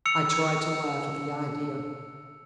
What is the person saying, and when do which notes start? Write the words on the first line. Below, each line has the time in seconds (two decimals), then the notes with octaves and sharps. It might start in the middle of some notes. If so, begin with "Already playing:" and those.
I tried to laugh at the idea.
0.06 E6 C#7 F7